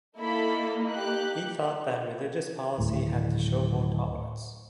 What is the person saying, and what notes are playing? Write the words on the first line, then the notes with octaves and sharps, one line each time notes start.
He thought that religious policy had to show more tolerance.
A#3 D#4 E4 A4 B5
G4 F#6
D1 G#1 A2